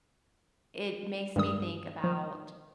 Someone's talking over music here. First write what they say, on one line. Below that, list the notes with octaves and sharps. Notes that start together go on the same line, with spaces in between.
it makes me think about
G2 D#3 G3 D#6
F3